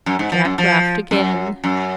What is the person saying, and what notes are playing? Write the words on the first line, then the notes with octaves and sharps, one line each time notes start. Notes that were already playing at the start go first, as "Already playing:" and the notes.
Jack laughed again.
F#2
G#2
F3
F#2
F3
F#2
F#2